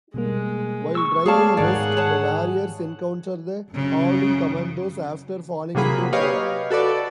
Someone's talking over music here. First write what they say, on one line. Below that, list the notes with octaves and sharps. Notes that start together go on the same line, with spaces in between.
While driving West, the Warriors encounter the Howling Commandos after falling into a trap.
B2 G3 G#3 A#3
C#6 E6
G#3 A3 B3 G#4 C#5 D5 F5 A5
G#2 D#3 G#3 G#4 A#4 C#5 D5 F#5
C#5 A5
F#2 C#3
C3 F#3 A#3 G#4 B5
G4 B4 C#5 D#5 F5
F#4 A4 B4 D5